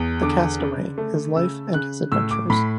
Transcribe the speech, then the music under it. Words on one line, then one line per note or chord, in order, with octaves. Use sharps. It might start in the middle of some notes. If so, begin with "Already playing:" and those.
The Castaway: His Life and His Adventures.
Already playing: E2
D3 D6
C#3
A3
C#3 E6
C#3 F#6
A2 E6
D6
A2 B5